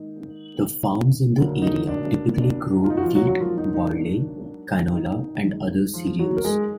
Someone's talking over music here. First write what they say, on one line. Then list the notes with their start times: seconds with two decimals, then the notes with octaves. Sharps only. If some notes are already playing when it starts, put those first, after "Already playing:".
The farms in the area typically grow wheat, barley, canola, and other cereals.
Already playing: G#2 D#3 A#3 D#4
1.38 D2 D3 F#3 A#3
1.62 D#4
1.88 D4
2.39 D4
2.84 F4
2.90 D#4
2.97 F#4
3.02 F3 F4
3.15 F#3 F#4
3.28 F#3 F#4
3.40 G#2 F3 F#3 A#3 F4
3.58 D#4
3.74 D#4
3.91 D4
4.92 D#4
5.44 F#2 D#3 G#3
5.94 F3 F4
6.19 F#3 F#4
6.37 A#4
6.45 G#3 G#4